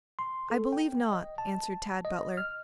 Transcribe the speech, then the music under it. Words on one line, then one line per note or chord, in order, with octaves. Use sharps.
"I believe not," answered Tad Butler.
C6
A4
G5
D#5
A5
D#5
F6